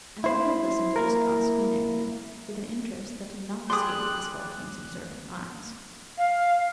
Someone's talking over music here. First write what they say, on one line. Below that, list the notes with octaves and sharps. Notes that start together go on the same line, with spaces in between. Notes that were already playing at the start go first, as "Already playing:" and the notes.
Alan had listened to this gossipy narrative with an interest that did not escape Isabel King's observant eyes.
E4 C5
A#3 E4 A#4
G3 G#4 D5 C6 D#6 F#6
F5